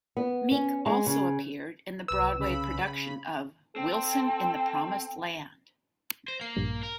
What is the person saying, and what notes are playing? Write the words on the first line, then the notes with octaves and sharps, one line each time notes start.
Meek also appeared in the Broadway production of "Wilson in the Promised Land".
B3
C#4
G#3
C#3
C2 B4 E6
C#3 B5
C4 A4 G5
C5 A#6
A#3 C7
A#1 G2
A#4